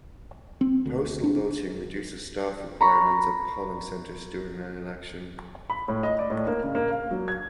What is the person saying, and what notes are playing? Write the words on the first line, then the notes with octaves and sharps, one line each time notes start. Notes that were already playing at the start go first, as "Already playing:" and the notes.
Postal voting reduces staff requirements at polling centers during an election.
C4
D2
D4
A#5 B5 C#6
B5
A2
D#5
D5
A2
A#3
C#3
A#3
F5
F#3
G#6